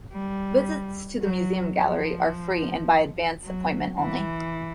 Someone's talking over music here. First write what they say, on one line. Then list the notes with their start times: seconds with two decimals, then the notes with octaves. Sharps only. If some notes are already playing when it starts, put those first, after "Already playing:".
Visits to the museum gallery are free and by advance appointment only.
0.13 G3
1.22 F#3
1.78 F3
3.43 F#3
3.99 E3